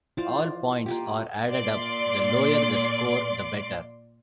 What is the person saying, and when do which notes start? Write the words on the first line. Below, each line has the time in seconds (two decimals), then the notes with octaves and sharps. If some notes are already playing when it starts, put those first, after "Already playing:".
All points are added up; the lower the score the better.
0.17 E4 F4 C5 D5 F5
0.86 A#3 F4 G4
1.48 A#2 D5 C6 D6